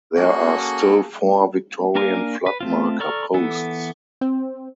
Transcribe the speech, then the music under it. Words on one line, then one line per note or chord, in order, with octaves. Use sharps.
There are still four Victorian flood marker posts.
A#3 C#4 F#4 G#4 A4
A#3 D4 A#4 F5 G#5
B4
A3 C4 F4
A4 D5 A#5 C#6 F6
E3 B3 A4
C4